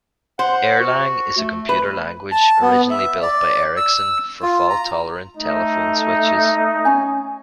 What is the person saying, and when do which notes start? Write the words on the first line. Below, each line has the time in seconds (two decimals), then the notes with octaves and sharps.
Erlang is a computer language originally built by Ericsson for fault-tolerant telephone switches.
0.39 C5 F#5
0.80 F#4
1.38 A3
1.69 B4
2.32 A5
2.61 B3
2.91 E5
3.22 D5
3.77 E6
4.42 F4
4.70 A#5
5.37 A3 D#4
6.85 C#4 G#5